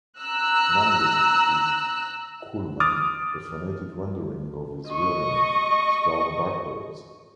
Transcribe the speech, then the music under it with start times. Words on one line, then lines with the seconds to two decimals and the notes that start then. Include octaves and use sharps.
"Namlook" is "Koolman", a phonetic rendering of his real name, spelled backwards.
0.18 A#5 E6 F#6
2.80 D6 D#6 F6 A6
4.89 D#5 C#6